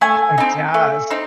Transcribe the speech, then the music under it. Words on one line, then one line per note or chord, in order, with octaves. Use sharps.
Oh, it does.
A3 G#5
C4 D#4
A3
C4 D#4